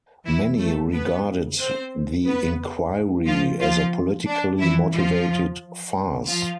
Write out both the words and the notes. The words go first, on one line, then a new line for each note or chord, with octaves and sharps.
Many regarded the inquiry as a politically motivated farce.
E3 E4
A3 A4
B3 B4
C4 C5
B3 B4
F3 F4
F3 F4
D4
E3 E4
F3 F4
F3 F4